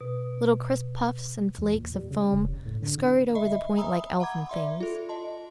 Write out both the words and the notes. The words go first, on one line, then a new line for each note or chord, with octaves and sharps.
Little crisp puffs and flakes of foam scurried over the point like elfin things.
B2
E2
A#2
G3
C#3
E1
A2
D3
D3
D#5 E5 B5
E5 G#5 A#5 B5 D#6 E6
F#5 A#5 B5 D6 G#6
D5 E5 C6
F4 A4
D#5 A5 C6